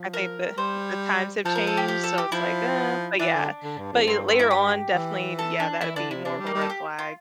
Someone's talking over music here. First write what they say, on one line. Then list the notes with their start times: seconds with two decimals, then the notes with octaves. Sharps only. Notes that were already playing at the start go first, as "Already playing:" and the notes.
I think the the times have changed, so it's, like, "Uh" But yeah, but you later on, definitely yeah, that'd be more of a red flag,
Already playing: F3
0.14 A#4
0.57 G3 C5
1.45 F3 A4
1.55 A#4
1.67 A4
1.77 G4
1.88 G4
2.04 A4
2.18 G4
2.32 F3 E4
3.19 E3 D4
3.34 D3
3.64 D3
3.78 G2
3.93 F2
4.07 G2 C4
4.29 C4
4.39 E4
4.51 G4
4.94 E3
5.39 A4
5.60 D4
5.81 E3 E4
5.96 D3 D4
6.11 C3 E4
6.25 C3 D4
6.40 G3
6.47 A#3
6.54 G3
6.61 A4
6.70 G4
6.99 F4